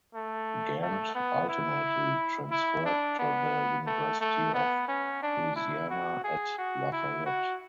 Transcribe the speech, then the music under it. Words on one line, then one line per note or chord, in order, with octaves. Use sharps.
Gant ultimately transferred to the University of Louisiana at Lafayette.
A3
A3
B3
E4
E4
D4
B3
A3
A3
B3
C#4
D4
E4
F#4
G#4
F#4
E4
F#4